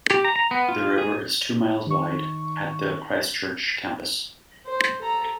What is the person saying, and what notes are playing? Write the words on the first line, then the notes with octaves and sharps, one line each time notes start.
The river is two miles wide at the Christchurch campus.
G4
A#5
A#5
B3
F4
G#4
D#3 C#6
C5
A4 A#5